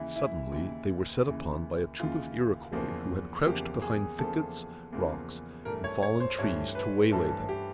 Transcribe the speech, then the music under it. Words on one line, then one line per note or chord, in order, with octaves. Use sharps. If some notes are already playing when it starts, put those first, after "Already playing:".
Suddenly they were set upon by a troop of Iroquois, who had crouched behind thickets, rocks, and fallen trees, to waylay them.
Already playing: D#2 C#3 E3 E4
E4
D#2 C#3 E3
D#2 C#3 E3
D#2 C#3 E3 F4
E2 C#3 F3 A#3
E2 C#3 F3 A#3 G4
G#4
E2 C#3 F3 A#3 A4
E2 C#3 F3 A#3
G2 E3 A3 A#4
C#5
C#5
C5
G2 E3 A3 C#5
B4
G2 E3 A3 A4
A4
G4